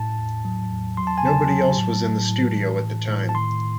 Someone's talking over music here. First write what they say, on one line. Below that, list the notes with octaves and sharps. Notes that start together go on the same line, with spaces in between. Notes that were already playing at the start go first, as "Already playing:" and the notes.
Nobody else was in the studio at the time.
Already playing: A2 A5
E2
F#3
E2
F#3 C6
A5
G#5
C#3 A5
F#3
A2
A2
A2
E3
A2
A2
A5
D#3 C6